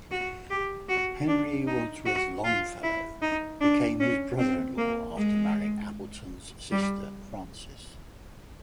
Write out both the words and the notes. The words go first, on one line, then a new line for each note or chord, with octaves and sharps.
Henry Wadsworth Longfellow became his brother-in-law after marrying Appleton's sister Frances.
F#4
G4
F#4
D4
D#4
F#4
F4
E4
D#4
D4
C#4
C4
A#3
G#3
G3